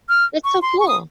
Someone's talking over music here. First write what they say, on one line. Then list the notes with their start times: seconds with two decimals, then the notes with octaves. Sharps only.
That's so cool.
0.09 F6
0.44 C#6
0.62 C6
0.80 C#6
0.88 D#6